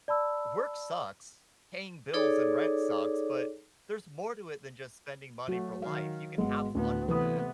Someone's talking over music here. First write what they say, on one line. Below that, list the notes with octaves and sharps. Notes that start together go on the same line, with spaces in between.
work sucks. Paying bills and rent sucks, but there's more to it than just spending money for life. You can have fun with it."
D5 A5 B5 E6
D#4 G#4 A4 C#5 D5 D6
F#3 A3 F#4
D#3 F5
G#1 G#3 B3
D2 A2 B3
C3 E3 A3 B3 B4 D#6